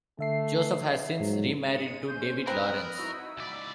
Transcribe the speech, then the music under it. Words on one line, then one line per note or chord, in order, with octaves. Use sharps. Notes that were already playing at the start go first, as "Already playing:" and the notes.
Joseph has since remarried, to David Lawrence.
D3 A3 E5 C7
G#2 F#3
G#3 C#7 D#7
C#4 C5 G6
C4 A#4 B4 B5 D#6 F#6
D#4 E4 F#4 E6
C#2 D5 B5